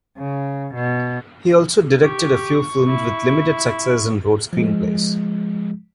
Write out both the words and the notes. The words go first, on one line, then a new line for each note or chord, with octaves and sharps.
He also directed a few films with limited success, and wrote screenplays.
C#3
B2
G4 C#6
E4
F3 G#3